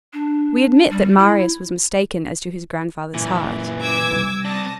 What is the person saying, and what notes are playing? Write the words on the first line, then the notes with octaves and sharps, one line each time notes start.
We admit that Marius was mistaken as to his grandfather's heart.
D4
G3
E4
F#2 A#2 E3
D6 E6 G#6
C3 G3
C4 D5 A5 D#6 A#6